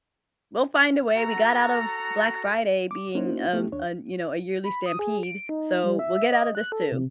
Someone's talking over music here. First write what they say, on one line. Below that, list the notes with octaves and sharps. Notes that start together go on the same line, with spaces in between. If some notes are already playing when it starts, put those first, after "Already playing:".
we'll find a way, we got out of Black Friday being un a, you know, a yearly stampede, so we'll get out of this too.
F#4 A4 A#5
D6
A#3 C#4 D#4 E4 F#4 C5
A3 B3 E4 G4
D#2 D4 C#5
B5
D#6
G#4
D7
D#4
G3
E5
D#5
F#6
A4
C3